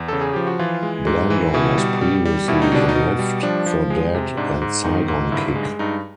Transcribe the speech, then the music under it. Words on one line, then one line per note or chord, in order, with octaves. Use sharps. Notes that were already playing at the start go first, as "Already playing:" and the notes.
Blando was previously in Left For Dead and Saigon Kick.
Already playing: E2
C#3 A4
G#4
F3 G4
F#4
E3 F4
G#3
G#2
E3
B2 E4
G3
G3
G3
B2 E4
D#4
B2 D4
D#4
B2
G3
F3 D4
F3
G#3
C3
G#2 D4
G#2
D#3 D#4
G#2
G2 E4
G#3
G2 D#4